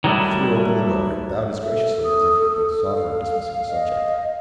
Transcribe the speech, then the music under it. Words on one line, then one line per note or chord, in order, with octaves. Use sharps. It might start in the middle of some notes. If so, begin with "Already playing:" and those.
He threw open the door, and bowed as graciously as if he had been a sovereign dismissing a subject.
D#3 F#3 G3 A3 E4
A4 E5
D#6
F5
D#5